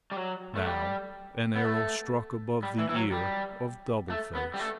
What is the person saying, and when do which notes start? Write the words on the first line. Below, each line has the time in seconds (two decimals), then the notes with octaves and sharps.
Now an arrow stuck above the ear of Double-Face.
0.11 G3
0.16 F#3
0.56 A3
0.65 G3
1.56 B3
1.64 A3
2.63 G3
2.79 E3
2.89 E3
2.95 F#3
3.12 G3
4.10 A3
4.35 B3
4.54 G3
4.60 A3